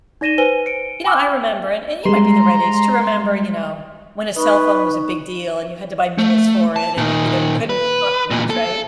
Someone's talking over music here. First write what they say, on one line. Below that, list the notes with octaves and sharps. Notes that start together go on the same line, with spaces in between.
you know, I remember and and you might be the right age to remember, you know, when a cellphone was a big deal and you had to buy minutes for it and it you know, you couldn't talk too much, right?
D#4 D5 A#6 D#7 E7 G7
B4 C5 G#5 D#7 G7
C#7 D7
G5 G#5 B5 D6 E6 F#6
G5
G3 G#3 A#5 C6
D#4 B4 C#6
A3
A5
A#2 D#3
B4
E2 A#2
A4